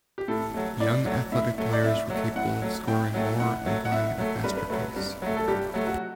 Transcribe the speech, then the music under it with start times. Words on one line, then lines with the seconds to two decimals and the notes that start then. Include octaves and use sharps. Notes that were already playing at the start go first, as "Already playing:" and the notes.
Young athletic players were capable of scoring more and playing at a faster pace.
0.18 G4
0.28 A2 A4
0.54 F#3 A3
0.80 A2 D5
1.06 F#3 A3
1.32 A2 E5
1.58 F#3 A3
1.73 D5
1.84 A2 E5
2.10 F#3 A3
2.36 A2 F#5
2.62 F#3 A3
2.88 A2 G5
3.14 F#3 A3
3.40 A2 F#5
3.66 F#3 A3
3.85 F#5
3.92 A2 E5
4.18 F#3 A3
4.44 G2 B4
4.57 B4
4.70 F#3 A3 B4
4.96 G2
5.22 F#3 A3
5.36 A4
5.48 G2 G4
5.74 F#3 A3
5.87 F#4